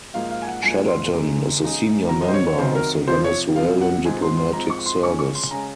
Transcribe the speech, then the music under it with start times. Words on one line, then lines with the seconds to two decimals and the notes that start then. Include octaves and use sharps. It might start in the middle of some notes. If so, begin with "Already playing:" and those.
Chaderton is a senior member of the Venezuelan Diplomatic Service.
0.14 G#2 F3 A#3 F5
0.30 F5
0.42 G#5
0.48 F#5
0.63 G#2 F3 A#3 G#5
0.88 C6
1.12 C#3 G#3 D#4
1.61 C#3 G#3 D#4
2.09 C3 D#3 F#3 A#5
2.21 D#5
2.28 C5
2.34 C#5
2.47 C#5
2.58 C3 D#3 F#3 C5
2.75 A#4
3.07 F2 C3 F3 C5
3.24 C#5
3.56 F2 C3 F3 F5
3.81 F#5
4.05 G#2 F3 C4 G#5
4.22 C6
4.37 C6
4.53 G#2 F3 C4 A#5
4.70 C#6
4.86 C6
5.03 F2 C#3 G#3 C#4 C#6
5.19 C#6
5.35 C6
5.51 C#3 G#3 C#4 A#5